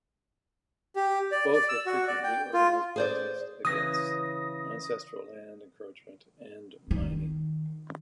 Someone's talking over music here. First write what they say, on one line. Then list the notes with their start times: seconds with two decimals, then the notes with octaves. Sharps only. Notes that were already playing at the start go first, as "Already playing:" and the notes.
Both have frequently organized protests against ancestral land encroachment and mining.
0.96 G4
1.32 D5
1.53 D5
1.69 E6
1.86 F#4
2.07 D5
2.24 G5
2.53 F4
2.96 G#4 C5 D5
3.65 C#3 E3 D#6 A#6
6.91 D#3